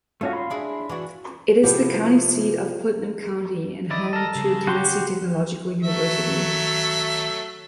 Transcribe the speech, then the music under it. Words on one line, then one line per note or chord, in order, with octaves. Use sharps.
It is the county seat of Putnam County and home to Tennessee Technological University.
A3 C#4 F4 F#4
B5 C6
D4 E4 G#4
E3 D4 F#4
C3 F3 A3 B3 E4 G4
E4 D5 D#5
A4 A#4
C#3
F#4 G4 C6
F#3 A3 E5